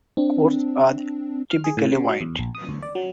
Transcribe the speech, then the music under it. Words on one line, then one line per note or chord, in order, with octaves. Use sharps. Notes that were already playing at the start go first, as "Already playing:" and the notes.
Courts are typically wide.
C4 D4
F6
G#4
A2
C#3
F#3
E2
A#1
D#6
D2
D5
F#3